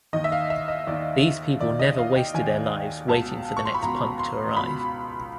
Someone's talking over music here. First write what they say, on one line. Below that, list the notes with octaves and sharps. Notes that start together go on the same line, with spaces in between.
These people never wasted their lives waiting for the next punk to arrive.
D#2 D#3 D#5
E5
F5
E5
D#5
D#2 D#3 D5
D#2 D#3 D5
D#5
F5
G5
D#2 D#3 G#5
C#2 B2 A5
C#6
C6
B5
C#2 B2 A#5
C6
C#2 B2 B5